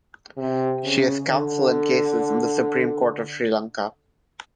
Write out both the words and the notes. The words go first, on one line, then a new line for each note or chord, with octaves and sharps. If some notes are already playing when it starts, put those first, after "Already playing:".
She is counsel in cases in the Supreme Court of Sri Lanka.
C3
C#3
D3